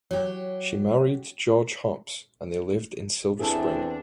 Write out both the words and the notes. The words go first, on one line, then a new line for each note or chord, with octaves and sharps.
She married George Hopps and they lived in Silver Spring.
F#3 G4 C#5
E2 C4 D4 E4 G#4 A4 A5